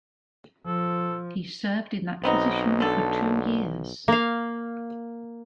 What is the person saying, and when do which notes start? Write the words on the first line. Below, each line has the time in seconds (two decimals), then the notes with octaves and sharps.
He served in that position for two years.
0.66 F3 A4
2.24 B1 B3 C4 D#4
2.80 D3 A4
4.08 A#3 F5